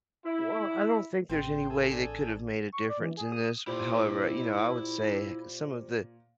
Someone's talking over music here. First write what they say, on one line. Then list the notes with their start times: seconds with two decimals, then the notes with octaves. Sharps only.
Well, I don't think there's any way they could have made a difference in this. However, you know, I would say some of the
0.25 E4
1.30 A1 G#3 C4 G5 C6
1.70 G#4 A4
1.90 C4 D4
2.73 C#6
2.89 D5
3.00 E3
3.17 G#4
3.32 D#6
3.67 A#2 E4 G4 C5 C6 D6